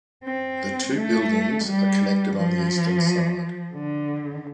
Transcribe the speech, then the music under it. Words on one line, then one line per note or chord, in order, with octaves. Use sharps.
The two buildings are connected on the eastern side.
C4
A3
G3
F3
D3